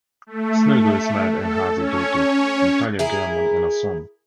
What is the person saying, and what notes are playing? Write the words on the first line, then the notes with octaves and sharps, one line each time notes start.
Snegur is married and has a daughter, Natalia Gherman, and a son.
A3
A4
C#4 C#5
E4 G#4 A#4